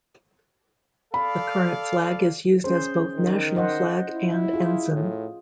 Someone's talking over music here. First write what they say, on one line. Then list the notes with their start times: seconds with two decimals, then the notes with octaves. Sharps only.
The current flag is used as both national flag and ensign.
1.14 A4 D5 F5 B5
2.64 C#4 G#4 C5
3.15 D#3
3.56 C5 D#5 F#5
4.11 E4
4.53 F4 G#4
4.92 A2